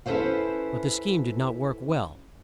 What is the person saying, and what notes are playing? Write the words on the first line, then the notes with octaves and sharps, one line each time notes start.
But the scheme did not work well.
C#4 E4 A4 B4 C5 F5